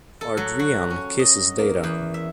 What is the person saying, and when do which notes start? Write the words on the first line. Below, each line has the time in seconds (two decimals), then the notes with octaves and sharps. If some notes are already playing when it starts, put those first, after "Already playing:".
Ard'rian kisses Data.
0.21 A4
0.37 F#3
0.59 F#4
0.90 C#4
1.19 D#5
1.58 A#3
1.83 E2
2.14 E5